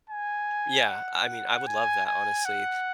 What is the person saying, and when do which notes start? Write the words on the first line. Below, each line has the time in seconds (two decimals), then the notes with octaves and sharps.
Yeah. I mean, I would love that, honestly.
0.10 G#5
0.88 F#5
1.67 G#5
2.06 G#5
2.45 F#5